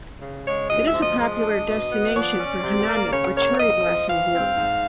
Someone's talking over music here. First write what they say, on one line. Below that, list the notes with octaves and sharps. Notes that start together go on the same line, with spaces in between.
It is a popular destination for hanami, or cherry blossom viewing.
C#3
G#3 C#5
D2 D#5
E5
F3
D#5
G#3 D#5
D4
B2
B3
F3 D5
C#4
C3
A#3
C#3 C#5
A#3 C#5
F2 D#5
F3
E3 F5
C4
G#2